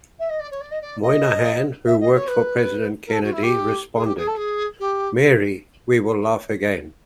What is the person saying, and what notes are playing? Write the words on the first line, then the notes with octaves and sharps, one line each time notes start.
Moynihan, who worked for President Kennedy responded, Mary, we will laugh again.
E5
D#5
D5
C#5
D5
D#5
D5
D#5
E5
D#5
C#5
B4
A#4
A4
F#4
E4
G4
G#4
G4
G#4
A4
G#4
G4